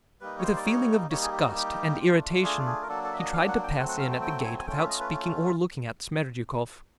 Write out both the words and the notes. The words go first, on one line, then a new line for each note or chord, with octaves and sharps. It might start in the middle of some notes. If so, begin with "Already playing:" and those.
With a feeling of disgust and irritation he tried to pass in at the gate without speaking or looking at Smerdyakov.
G3 A#3 D#4 B4
C#5
C5
D5
C#5
G3 A#3 D#4 C#5
G#4
G4
F#4
G4
A3 D4 F4
G#4
G#4
A#4
F#3 A#3 D4 A4
A4
E5
D#5
F5
F#5
G5
F#3 A3 C4 F#5
F#5
F5
G5
G5
G#5
G#5
A3 C#4 F4 G5
E5
D#5
B4